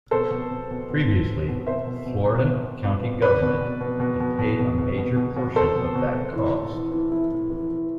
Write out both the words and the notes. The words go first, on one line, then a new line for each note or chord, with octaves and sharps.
Previously, Florida county governments had paid a major portion of that cost.
B2 A4 C5
B2
B2
B2
B2
B2
B2
B2
B2 C5 E5
B2
B2
B2
B2
B2
B2
B2
B2 B4 D5
B2
B2
B2
B2
B2
B2
B2
B2
B2
B2
B2
B2 A4 C5
B2
B2
B2
E3
A2
E3
E3
E3 E4
A2
E3
E3